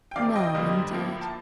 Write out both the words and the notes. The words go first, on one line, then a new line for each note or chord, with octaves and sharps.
"No, indeed."
G5
D2 C3 D#3 D5 F5
D#5 G5
F2 D3 G3 A#3
A2 F3 A#3
A5